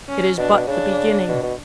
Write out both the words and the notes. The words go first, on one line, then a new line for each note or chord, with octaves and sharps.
It is but the beginning!
C#4
B2 D4
B2
C#3 D4
B2
B2